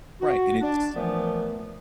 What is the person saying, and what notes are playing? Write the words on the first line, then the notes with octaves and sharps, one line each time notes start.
Right, and it's
F#4
D4
A#2 E3 F3 A3 B3